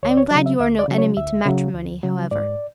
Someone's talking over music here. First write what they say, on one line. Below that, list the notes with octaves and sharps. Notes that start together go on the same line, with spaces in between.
I am glad you are no enemy to matrimony, however.
D2 C#5
D5
C#5
C#3 F#3 D5
E5
D2 E5
D5
C#3 F#3
C#5
D2 E5
C#3 F#3
D2
C#3 F#3
G#2 D5